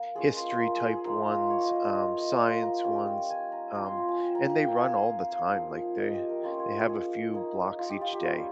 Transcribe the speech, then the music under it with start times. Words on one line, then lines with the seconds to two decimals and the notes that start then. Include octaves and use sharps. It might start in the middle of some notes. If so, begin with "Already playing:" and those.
history type ones, um, science ones, um, and they run all the time, like, they they have a few blocks each day.
Already playing: A#3 A#4
0.15 G#3 C#4 F4 G#4
0.38 C5
0.52 G#4
0.60 A#4
0.75 G#4
0.90 G#4
1.05 F3 G#3 D#4 A#4
1.28 C5
1.50 C#5
1.61 D#5
1.73 C5
1.83 C#5
1.95 A#3 F4 D#5
2.18 D#5
2.40 C6
2.62 A#5
2.85 G3 C#4 F4 G5
3.07 G5
3.30 G#5
3.52 A#5
3.75 F3 C4 F4 A#5
3.86 C6
3.98 A#5
4.08 G#5
4.20 G5
4.35 A#5
4.49 A#5
4.64 A#3 D#4 G5
4.79 G#5
4.94 F5
5.20 F5
5.32 F5
5.43 F5
5.54 F3 A#3 D#4
5.98 D#5
6.14 G4
6.29 A#4
6.43 A#3 C#4 F4 C5
6.59 C#5
6.89 G#4
7.34 A#3 D#4
7.79 F4
7.90 G4
8.01 F4
8.12 G4
8.23 G3 C#4 F4 C#5